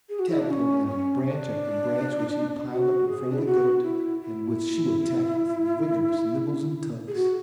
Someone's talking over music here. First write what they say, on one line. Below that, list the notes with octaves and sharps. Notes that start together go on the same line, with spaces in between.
Tad pulled down branch after branch which he piled up in front of the goat, and which she attacked with vigorous nibbles and tugs.
G#4
F#4
E4
D4
C#4
C#4
D4
F#4
G#4
D4
E4
F#4
E4
E4
G#4
F#4